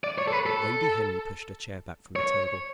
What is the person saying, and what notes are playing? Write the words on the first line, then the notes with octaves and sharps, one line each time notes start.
Lady Henry pushed her chair back from the table.
D5
C#5
A4
B4
A4
C#5